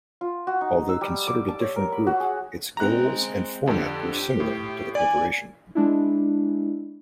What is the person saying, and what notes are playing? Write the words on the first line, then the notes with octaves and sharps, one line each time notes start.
Although considered a different group, its goals and format were similar to The Corporation.
F4
F#4
D#4
E6
G3
D6
A5
C#5
A#4
B5
F#4
G#4
G#3 C4 A#5 F#6
F2 D3 G4
A2
D5 G#5
G#3 D4 E4